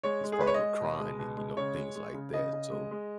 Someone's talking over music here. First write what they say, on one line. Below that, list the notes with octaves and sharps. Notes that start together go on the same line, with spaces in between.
he's probably crying and, you know, things like that, so,
G#3 C#5
G#3
G#4
G#3 B4
C#5
D#5
G#3
B2
G#3
B2
G#3
C#3 C#5
G#3
G#3
C#3
C#3 D#5
C#3
G#3
G#3